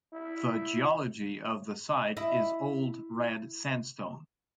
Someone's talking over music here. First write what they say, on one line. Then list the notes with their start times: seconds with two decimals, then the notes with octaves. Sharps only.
The geology of the site is old red sandstone.
0.13 E4
2.17 E4 D#5